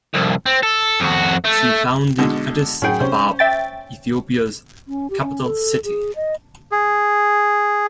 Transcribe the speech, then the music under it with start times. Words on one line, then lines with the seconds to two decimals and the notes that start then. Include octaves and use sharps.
She founded Addis Ababa, Ethiopia's capital city.
0.14 C2 F2
0.46 C4
0.63 A4
1.00 F2 F#4
1.44 A3
2.18 B2 D3 G#3
2.82 F#2 A2 G#4 F#5 G5
3.01 C3 C#4 C5
3.39 E5 G5 A6
4.88 C#4
5.10 G4
5.22 C#4
5.44 A4
5.84 G#4
6.16 D#5
6.72 G#4